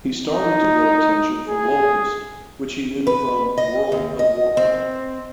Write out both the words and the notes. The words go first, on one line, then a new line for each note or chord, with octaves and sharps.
He started to get attention from Locust which he knew from "World of Warcraft".
D#4
G#4
B4
D#5
D#2
D#5
C4